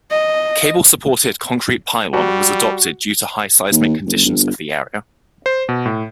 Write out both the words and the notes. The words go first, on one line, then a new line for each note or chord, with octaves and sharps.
Cable supported concrete pylon was adopted due to high seismic conditions of the area.
D#5
G3 F#4
D#2
F#1
G1
C5
B2
A2